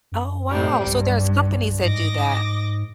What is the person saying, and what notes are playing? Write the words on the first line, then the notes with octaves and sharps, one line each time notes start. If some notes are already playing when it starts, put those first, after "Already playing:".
Oh, wow, so there's companies that do that?
F#2
A2 C3 G3
B1 G2
G#2 D#5 D6 A#6